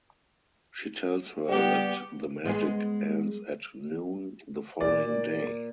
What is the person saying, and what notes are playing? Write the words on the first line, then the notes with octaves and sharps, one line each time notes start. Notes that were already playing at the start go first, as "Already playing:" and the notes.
She tells her that the magic ends at noon the following day.
G3 B3 G4
G#3 B3 G#4
A#2 D5